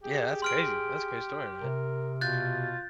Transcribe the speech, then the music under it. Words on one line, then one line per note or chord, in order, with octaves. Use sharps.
Yeah, that's crazy. That's a great story, man.
G4 G#4
C6 F6 D7
C3 A#4
B2 F4 F#6 G6 A6